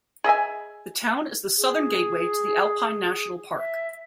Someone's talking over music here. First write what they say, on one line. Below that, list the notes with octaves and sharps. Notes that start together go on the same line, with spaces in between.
The town is the southern gateway to the Alpine National Park.
G#4 D#5 E5 G#5
G#4
E5